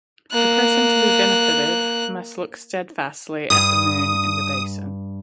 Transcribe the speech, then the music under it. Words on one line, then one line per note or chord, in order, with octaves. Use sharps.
The person to be benefited must look steadfastly at the moon in the basin.
A#3 F#6
G2 D#6